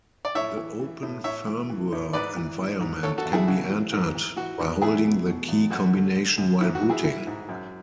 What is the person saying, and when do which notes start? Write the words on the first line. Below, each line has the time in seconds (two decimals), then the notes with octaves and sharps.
The Open Firmware environment can be entered by holding the key combination while booting.
0.25 D5
0.35 A2 C#5 E5
0.57 E3
0.80 E3
1.03 A2
1.24 A2 C#5 E5
1.47 E3
1.70 E3
1.92 A2
2.13 G#2 B4 D5
2.37 E3
2.59 E3
2.80 G#2
3.03 E2 A4 C#5
3.18 F#4 A4
3.25 E2
3.33 E4 G#4
3.47 C#3 F#4
3.70 E3
3.93 G#2
4.15 E3
4.36 E3 F#4
4.59 G#2
4.82 E2 E4 G#4
5.04 B2
5.26 B2
5.48 E2
5.71 F#2 F#4
5.93 D3
6.16 D3
6.38 F#2
6.60 G#2 E4
6.75 F#4
6.82 E3
6.90 E4 G#4
7.04 E3 E4
7.27 G#2
7.49 F#2